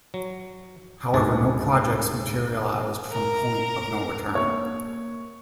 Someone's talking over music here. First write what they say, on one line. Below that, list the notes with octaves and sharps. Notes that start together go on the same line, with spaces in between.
However, no projects materialized from Point of No Return.
F#3
D2 G#2 G#4 A5
A#4
A#3 C#5